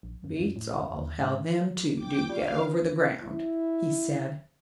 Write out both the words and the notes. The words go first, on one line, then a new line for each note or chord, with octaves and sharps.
"Beats all how them two do get over the ground," he said.
A#1
F#2
F#2
A2
F2
D#2
G#2
G5 D6
F4 G4 D5 F5
E4